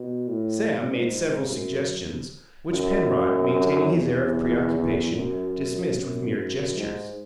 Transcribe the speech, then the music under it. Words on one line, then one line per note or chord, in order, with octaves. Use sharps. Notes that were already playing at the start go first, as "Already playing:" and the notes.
Sam made several suggestions, which Penrod--maintaining his air of preoccupation--dismissed with mere gestures.
Already playing: B2
A2
G#2
F#2
F#2
E2
F#2
F#2
G#2